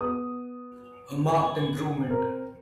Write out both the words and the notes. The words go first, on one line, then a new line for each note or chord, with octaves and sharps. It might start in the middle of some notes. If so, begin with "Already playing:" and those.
A marked improvement.
B3 D#6
G#5
C4 A#4